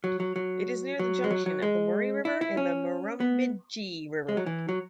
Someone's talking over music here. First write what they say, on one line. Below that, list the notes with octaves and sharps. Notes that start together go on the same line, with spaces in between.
It is near the junction of the Murray River and Murrumbidgee River.
F#3
F#3
F#3
F#3
G#3
F#3
F#3
G#3
E4
E4
C#4
B3
G#3
F#3
E3
F#3